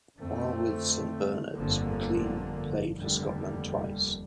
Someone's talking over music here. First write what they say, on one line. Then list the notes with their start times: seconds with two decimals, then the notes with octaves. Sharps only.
While with Saint Bernard's, McLean played for Scotland twice.
0.18 F2 D3 A3 C4
1.57 G1 F2 D3 F3 A#3
2.97 F1 D#2 D3 G3